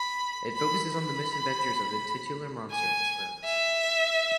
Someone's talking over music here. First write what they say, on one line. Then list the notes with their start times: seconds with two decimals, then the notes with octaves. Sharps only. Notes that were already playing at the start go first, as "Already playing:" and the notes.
It focuses on the misadventures of the titular monster and his friends.
Already playing: B5
0.56 B5
0.92 B5
2.71 G#5
3.44 E5